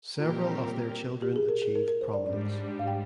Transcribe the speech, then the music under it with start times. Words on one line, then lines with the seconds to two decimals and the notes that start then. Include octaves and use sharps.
Several of their children achieved prominence.
0.18 A#2 G3 C4 F4 G4 A#4
1.22 G4
1.36 G#4
1.49 A#4
1.62 G#4
1.75 A#4
1.88 A#4
2.01 C5
2.14 D5
2.26 G#2 G3 D4 D5
2.79 F5
2.87 G5